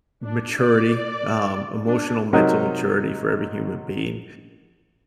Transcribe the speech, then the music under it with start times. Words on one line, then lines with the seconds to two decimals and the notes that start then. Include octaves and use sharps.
maturity, um, emotional mental maturity for every human being,
0.24 D4
0.59 D5
1.86 D4
2.33 C3 F#3 D#4 A#4